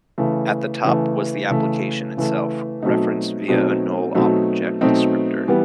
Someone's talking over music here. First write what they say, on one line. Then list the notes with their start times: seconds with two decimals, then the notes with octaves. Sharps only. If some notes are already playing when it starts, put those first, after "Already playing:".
At the top was the application itself, referenced via a null object descriptor.
0.18 C#3 E3 A3
0.84 C#3 E3 A3
1.50 C#3 E3 A3
2.17 C#3 E3 A3
2.83 B2 F#3 A3 C4 D#4
3.48 B2 F#3 A3 C4 D#4
4.15 B2 F#3 A3 C4 D#4
4.81 B2 F#3 A3 C4 D#4
5.48 E3 G3 B3